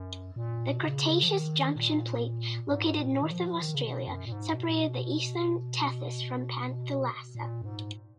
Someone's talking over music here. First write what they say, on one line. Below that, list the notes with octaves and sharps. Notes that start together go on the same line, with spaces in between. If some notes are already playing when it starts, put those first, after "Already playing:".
The Cretaceous Junction Plate, located north of Australia, separated the eastern Tethys from Panthalassa.
Already playing: F#2
A#2
B2
C#3
F3
D#3
A#2
G#2
A#2
D#3
F3
D#3
C#3
B2
F#2
A#2
G#2
B2
A#2
B2
A#2
F#2
G#2